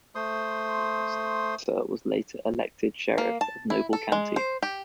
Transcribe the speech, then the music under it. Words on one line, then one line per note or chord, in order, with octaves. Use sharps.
The arresting officer was later elected sheriff of Noble County.
A3 C5 C6 D#6
A#3
A5
E4
A4
G#3
C5
G4